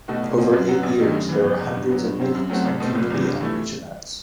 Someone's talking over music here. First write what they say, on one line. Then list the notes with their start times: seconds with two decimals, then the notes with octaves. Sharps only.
Over eight years, there were hundreds of meetings and community outreach events.
0.08 B2 A3 D#4 F#4
0.23 C2
0.38 B2 G3 C4
0.53 F#2
0.69 F#3 B3
0.83 A1
0.99 G2 D#3 A3 D#4
1.14 F#2
1.29 E3 B3
1.44 F#1
1.59 E2 B2
1.74 G2
1.89 F#3 B3
2.04 G2
2.20 F#3 C4
2.35 F#2
2.50 F#3 A3 C4 F#4
2.65 C2
2.80 B2 A3 C4
2.95 F#1
3.10 E2 C3 E3
3.25 G2
3.40 E3 A3 E4